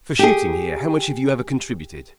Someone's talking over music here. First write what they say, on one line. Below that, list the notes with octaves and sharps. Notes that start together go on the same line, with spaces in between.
"For shooting here, how much have you ever contributed?"
G4 G#4